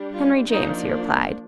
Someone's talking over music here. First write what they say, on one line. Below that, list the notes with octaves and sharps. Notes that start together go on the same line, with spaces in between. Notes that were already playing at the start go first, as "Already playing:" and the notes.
"Henry James," he replied.
Already playing: G3 D4
F4
F3 A#3 D4 D#4